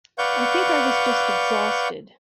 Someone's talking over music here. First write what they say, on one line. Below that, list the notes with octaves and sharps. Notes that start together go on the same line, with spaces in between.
I think I was just exhausted.
B4 D5 F5 F#5 C#6 G6